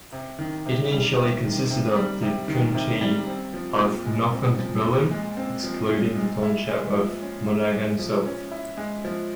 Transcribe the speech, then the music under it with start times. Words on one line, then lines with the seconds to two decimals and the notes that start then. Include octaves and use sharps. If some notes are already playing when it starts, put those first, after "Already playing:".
It initially consisted of the county of Northumberland, excluding the township of Monaghan South.
0.12 C3
0.39 D#3
0.66 C3
0.91 G3
1.17 C3
1.44 D#3
1.70 C3
1.96 G3
2.22 C3
2.48 D#3
2.75 C3
3.01 G3
3.27 C4
3.54 F3
3.80 A#2
4.05 G#3
4.32 C4
4.59 F3
4.84 A#2
5.11 G#3
5.37 C4
5.64 F3
5.89 A#2
6.16 G#3
6.43 E4
6.69 G#3
6.94 F3
7.21 C#4
7.46 E4
7.72 G#3
7.99 F3
8.25 C#4
8.52 E4
8.77 G#3
9.05 F3